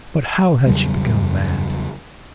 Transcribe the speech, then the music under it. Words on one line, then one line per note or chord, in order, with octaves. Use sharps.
But how had she become mad?
E2 C#3 F#3 G3